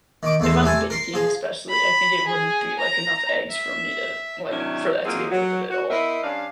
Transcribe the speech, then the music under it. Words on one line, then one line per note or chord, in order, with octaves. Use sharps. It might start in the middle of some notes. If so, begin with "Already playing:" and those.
if I'm baking especially, I think it wouldn't be like enough eggs for me to, like, for that to be worth it at all.
D#3 D6
E2 A3 C5
C3 A3 G#5 A5
A#4 C6
F3 G#4
B5
G#4
A#5
E5
C3 D#3 F#3 C#4 D4 E4
F#3 A#3 C4 D#4 F4 G#4
F#3
F#4
B3 E4 A#4 C5 D#5 E5
G2 C#4 D4 F5